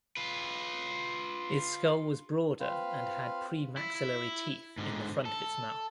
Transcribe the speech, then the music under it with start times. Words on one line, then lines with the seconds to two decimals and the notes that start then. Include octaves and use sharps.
Its skull was broader and had premaxillary teeth in the front of its mouth.
0.17 F4 B4
2.60 C4 F4 B4 F5
3.77 E4
3.95 E4
4.78 G#2 D3
5.25 A4